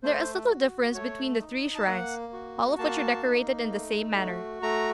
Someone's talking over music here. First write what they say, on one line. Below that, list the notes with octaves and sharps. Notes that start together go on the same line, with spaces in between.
There is little difference between the three shrines, all of which are decorated in the same manner.
A3 C5
F#4
A3 C#5
D#4
A5
A#3 F#5
F#4
A#3 A5
D#4
A3
F#4
A3 A#5